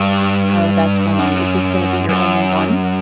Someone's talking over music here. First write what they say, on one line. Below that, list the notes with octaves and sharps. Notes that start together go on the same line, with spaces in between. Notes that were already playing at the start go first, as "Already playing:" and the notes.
Oh, that's funny. Is this gonna be your only one?
Already playing: G2
F#2
F#2